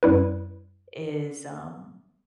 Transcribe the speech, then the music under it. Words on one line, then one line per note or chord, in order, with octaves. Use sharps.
is, um,
F#2 G3 E4 B4